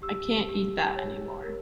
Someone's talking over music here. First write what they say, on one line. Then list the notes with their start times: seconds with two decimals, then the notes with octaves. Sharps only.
I can’t eat that anymore.
0.02 G4 E6
0.49 G4
0.96 C#5
1.43 A#4